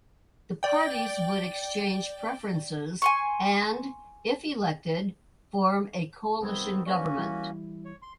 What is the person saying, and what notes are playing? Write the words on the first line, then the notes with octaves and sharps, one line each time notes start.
The parties would exchange preferences and, if elected, form a coalition government.
D5 G5
G#5 C6 C#6
C2 D#3 G3 B3 C4 G#6
A#3 C#4 F#4 B4 C5 D5
E3 G3 E4
C#5
C6